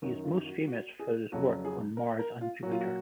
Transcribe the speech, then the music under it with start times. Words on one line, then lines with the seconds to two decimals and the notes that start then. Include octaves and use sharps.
He is most famous for his work on Mars and Jupiter.
0.02 F#2 D#3 F#3 F#4
0.24 F4
0.46 F#4
0.67 F#4
0.99 G#4
1.32 F2 C#3 F#3 F#4
1.65 G#4
1.97 A#4
2.19 A#4
2.41 F4
2.63 A#2 F#3 F#4
2.72 F4
2.81 F#4